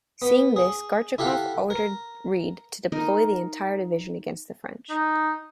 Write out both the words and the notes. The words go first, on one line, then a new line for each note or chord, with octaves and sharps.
Seeing this Gorchakov ordered Read to deploy the entire division against the French.
B3
G#4
E4 G4 A4 F5 F#5
A#4
D#4 A#4 D#5
D#4